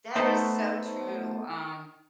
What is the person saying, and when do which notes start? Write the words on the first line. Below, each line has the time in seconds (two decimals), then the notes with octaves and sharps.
that is so true. Um,
0.15 A3 B3 D#4 A4 C5